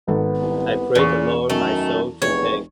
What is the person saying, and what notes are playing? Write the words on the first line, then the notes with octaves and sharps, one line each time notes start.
I pray the Lord my soul to take.
G#1 B3 A4
C2
E2 A#2 C#3 C#6
F#2 D#3 A3
F1 E2 C#5